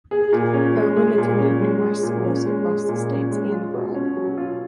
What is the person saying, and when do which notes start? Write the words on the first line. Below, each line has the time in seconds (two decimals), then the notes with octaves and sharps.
Irwin attended numerous schools across the states and abroad.
0.11 G#4
0.33 A#2
0.54 C#4
0.75 G#3
0.96 G#4
1.18 A#2
1.39 C#4
1.61 G#3
1.82 G#4
2.03 A#2
2.24 C#4
2.46 G#3
2.67 G#4
2.88 A#2
3.10 C#4
3.31 G#3
3.52 F4
3.74 B2
3.95 C#4
4.17 F#3
4.37 F4